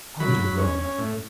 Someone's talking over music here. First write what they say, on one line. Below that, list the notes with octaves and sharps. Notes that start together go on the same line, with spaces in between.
How did it run?
F#3 B5
F#3
C#4
C#4
A2